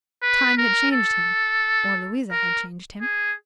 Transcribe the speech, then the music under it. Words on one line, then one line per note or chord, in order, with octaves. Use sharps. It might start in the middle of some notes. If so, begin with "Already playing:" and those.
Time had changed him, or Louisa had changed him.
B4
A#4
A4
A#4
G#4